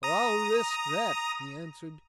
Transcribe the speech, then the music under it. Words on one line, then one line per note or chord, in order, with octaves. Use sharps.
"I'll risk that," he answered.
A#5 D#6